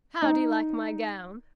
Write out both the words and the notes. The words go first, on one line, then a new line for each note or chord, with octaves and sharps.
How do you like my gown?
D#4